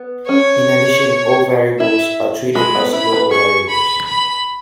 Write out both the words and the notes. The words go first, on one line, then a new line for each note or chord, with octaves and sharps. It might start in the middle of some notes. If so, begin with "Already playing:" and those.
In addition, all variables are treated as global variables.
Already playing: B3
C#4 C#5
E4 E5
G#3 B5
B3
E4 B5
B4
G#4 C#6
B5
B5